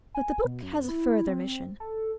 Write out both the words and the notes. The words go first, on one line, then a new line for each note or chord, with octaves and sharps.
But the book has a further mission.
G#5
B2
F#2
E4
C4
A4